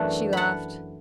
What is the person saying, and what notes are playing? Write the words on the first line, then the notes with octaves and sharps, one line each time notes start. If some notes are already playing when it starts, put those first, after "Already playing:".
She laughed.
Already playing: F#2 E3 A3 D4 F#5 A5
F#5 A5 B5